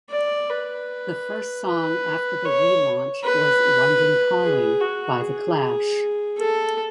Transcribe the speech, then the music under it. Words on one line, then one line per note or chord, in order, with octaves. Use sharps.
The first song after the relaunch was "London Calling" by The Clash.
D5
B4
B4
C#5
B4
G#4
F#4
G#4
A4